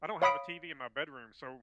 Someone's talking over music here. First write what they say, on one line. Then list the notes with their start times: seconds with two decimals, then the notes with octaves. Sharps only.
I don't have a TV in my bedroom, so,
0.22 C#5 F5 B5 D#6 B6 D7